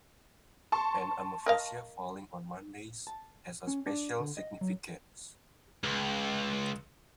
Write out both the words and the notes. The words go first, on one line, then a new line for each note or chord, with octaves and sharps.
An Amavasya falling on Mondays has a special significance.
A5 C6 C#6
A#4 D#5 F5
A5
C#4
D4
D3
D#5
F#3
C#2